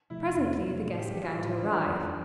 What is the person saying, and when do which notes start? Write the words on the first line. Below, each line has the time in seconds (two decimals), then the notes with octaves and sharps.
Presently the guests began to arrive.
0.10 C3 F3 A3 E4
0.36 E2
0.60 C3 F3 A3
0.86 A2
0.98 G4
1.11 G3 G4
1.14 E3
1.23 F4
1.36 A2 E4
1.61 E3 G3 D4
1.86 F2 D4